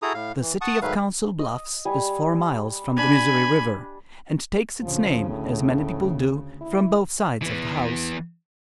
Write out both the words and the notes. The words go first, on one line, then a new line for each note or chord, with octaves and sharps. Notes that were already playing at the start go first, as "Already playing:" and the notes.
The city of Council Bluffs is four miles from the Missouri River, and takes its name as many people do, from both sides of the house.
E4 F#4 G#4 A4 A#5 D#6
A2 F5
E3
F#5 A5 C#6 D#6
G#2 D#3 F#3 A3 B4 F5
D#5
G3 G#5
D4 G#5 B5
D2 C#3 F3
A2
E4
E3 B3